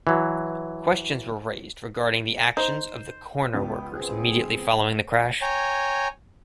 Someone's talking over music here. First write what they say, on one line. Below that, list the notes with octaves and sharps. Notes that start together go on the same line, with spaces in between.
Questions were raised regarding the actions of the corner workers immediately following the crash.
E3 F#3
D#4 C5
C#2 B3 G4
C4 G#4
C#5 G5 G#5 A#5